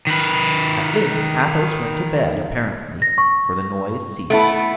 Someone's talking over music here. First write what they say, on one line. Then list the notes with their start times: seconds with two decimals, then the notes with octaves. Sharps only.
At length Athos went to bed, apparently, for the noise ceased.
0.07 D#3 B4
3.02 A#6
3.18 C#6
4.30 A3 B3 E4